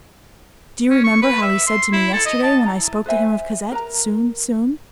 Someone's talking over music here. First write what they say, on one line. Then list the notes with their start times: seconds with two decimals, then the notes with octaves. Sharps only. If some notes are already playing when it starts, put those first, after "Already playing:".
Do you remember how he said to me yesterday, when I spoke to him of Cosette, Soon, soon?
0.90 C#4
1.04 C#6
1.22 B4
1.42 E5
1.67 C6
1.93 E4
2.13 A4
2.26 D#5
2.43 A5
2.66 E4 A#5
3.06 B4 C5 E5 G#5
3.72 A#4 B4 A#5